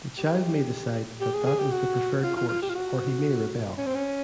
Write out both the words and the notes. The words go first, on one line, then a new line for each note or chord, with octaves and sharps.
The child may decide that that is the preferred course, or he may rebel.
G4
G4
G#4
G#4
G4
F#4
F4
F4
F4
G4
F4
F#4
C#4
C4
C#4